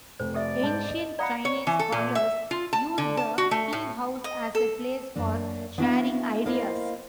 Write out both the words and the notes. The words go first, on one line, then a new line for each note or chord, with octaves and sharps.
Ancient Chinese scholars used the teahouse as a place for sharing ideas.
F1 C5
G4 A4 D5 E5
G#2 A5 G6
D#5
D5 F5 F#5 A#5 B5 D#6
C#5
E3
A4
A#2
E5
F4
A5
D3
A5
F#4
A3
A2
D#5
A4
F#2 A#3 D4
B3 D4 E4 F#4 E5 F5
A#3 E4 A#4 C5 D#5 F5